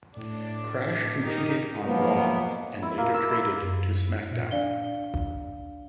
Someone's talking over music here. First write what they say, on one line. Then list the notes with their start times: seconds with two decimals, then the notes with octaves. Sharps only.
Crash competed on Raw and later traded to SmackDown!
0.17 A2 D4
1.23 D#4 G4 A#4
1.85 B2 F3 F#3 G#3 A#3 B3
2.82 E4
2.98 A#3
3.14 E6
3.30 E4
3.62 F#2
4.31 A#2
4.51 D4 D5 F5 G7